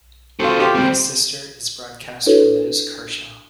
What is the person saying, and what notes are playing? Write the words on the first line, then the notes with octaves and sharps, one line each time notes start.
His sister is broadcaster Liz Kershaw.
C4 F4 F#4 A4
F4 G4
D#2 G3 C4 C5
D4 E4 F#4 A4 B4 C#5